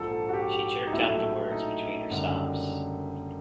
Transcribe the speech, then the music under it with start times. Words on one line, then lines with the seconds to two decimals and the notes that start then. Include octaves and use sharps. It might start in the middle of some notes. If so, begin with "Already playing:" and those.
She jerked out the words between her sobs.
Already playing: A#1 G#2 F3 A4
0.29 F#4
0.34 G4
0.87 D#4
0.92 A#1 A2 F#3 A3 E4
1.52 D#4
2.10 F#1 F#2 D3 G3